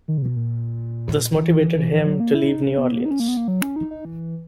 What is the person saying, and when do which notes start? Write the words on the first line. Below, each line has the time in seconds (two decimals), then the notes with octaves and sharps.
This motivated him to leave New Orleans.
0.08 D#3
0.18 C#3
0.22 B2
0.36 A#2
1.36 E3
1.78 E3
1.92 E3
2.06 F#3
2.20 A#3
2.34 E4
2.48 D#4
2.63 C#4
2.78 B3
2.92 A#3
3.00 B3
3.05 D#4
3.11 C#4
3.20 A#3
3.28 B3
3.37 A#3
3.48 F#3
3.62 C#4
3.76 D#4
3.91 D#4
4.05 E3